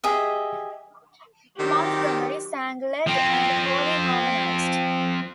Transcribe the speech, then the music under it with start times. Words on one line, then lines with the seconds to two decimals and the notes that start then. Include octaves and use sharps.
Montgomery sang lead and Holly harmonized.
0.04 G4 G#4 D#5 E5
1.59 D#3 F#3 C4 G4 D5 D#5
3.07 F3 C4